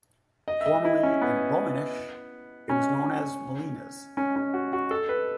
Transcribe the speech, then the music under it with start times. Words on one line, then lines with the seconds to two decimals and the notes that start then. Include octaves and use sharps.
Formerly, in Romansh, it was known as "Molinas".
0.48 D#5
0.61 E5
0.66 D#5
0.85 E4
1.03 C#4
1.21 B3
2.69 C#4
4.17 C#4
4.36 C#4
4.54 F#4
4.73 F#4
4.91 A4
5.09 B4